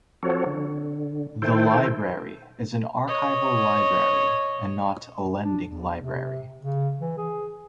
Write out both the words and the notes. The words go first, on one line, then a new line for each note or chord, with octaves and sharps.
The Library is an archival library and not a lending library.
F3 C4 F#4 A4 C#5
D3
D#3 E4 A4 C5 G5
C#5 D#5
D4
E2
C3
C#3
E3
G#4